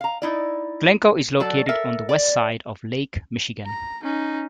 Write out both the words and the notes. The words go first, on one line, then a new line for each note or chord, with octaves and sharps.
Glencoe is located on the west side of Lake Michigan.
F5 A#5
D#4 E4 D5
F#3 F#4 A4 D5 A5
A4 A#4 E5
D5
A#5
C#4 D#4